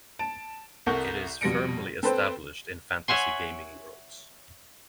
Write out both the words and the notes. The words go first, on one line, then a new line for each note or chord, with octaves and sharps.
It is firmly established in fantasy gaming worlds.
A5 D7
C2 A4 A#4 F#5 C#6 G6
F2 B2 G3 A#6 C#7 D7
C4 A4 B4 C5 G5
C#5 E5 F#5 G#5 C6